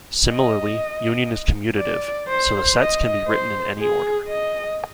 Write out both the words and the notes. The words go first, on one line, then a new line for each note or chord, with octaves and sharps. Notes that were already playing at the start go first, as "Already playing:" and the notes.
Similarly, union is commutative, so the sets can be written in any order.
D#5
D5
C5
D#5
C5
G#4
D#5